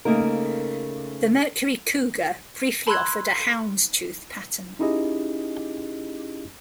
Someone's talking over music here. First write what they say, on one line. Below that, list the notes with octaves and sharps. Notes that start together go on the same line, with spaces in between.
The Mercury Cougar briefly offered a houndstooth pattern.
C#3 A3 A#3 D#4 A#4
A5 B5 C6 E6 F#6 G#6
C#4 D#4 E4 G4 G#4 D#5